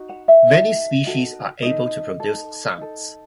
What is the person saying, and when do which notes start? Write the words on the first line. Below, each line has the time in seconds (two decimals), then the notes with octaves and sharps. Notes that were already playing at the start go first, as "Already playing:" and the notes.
Many species are able to produce sounds.
Already playing: D#4 F#4
0.09 F#5
0.28 E5
0.47 D#4 F#4 A4
1.04 D#4 F#4 A4
1.62 D#4 A4 D#5
2.20 D#4 A4
2.78 D#4 A4